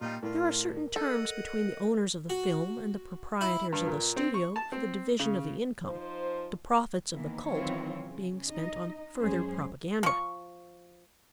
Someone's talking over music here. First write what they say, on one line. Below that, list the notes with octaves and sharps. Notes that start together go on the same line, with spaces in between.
There are certain terms between the owners of the film and the proprietors of the studio for the division of the income, the profits of the cult being spent on further propaganda.
A#2 G3 D#4 F4 G5
A2 F4 A#4 D5
A4 D#5 F#5 G6
F#4
E4
G2
A#2
C4
C#6
A5
C4
C#3
F3 D#4 C5
D#3 E3 A#3 B3
D#3 E3 F#3 C4 F4 C#5
C#3
D#4 D#5
F#2 G#3 C#4 G#4 C5
F3 C#6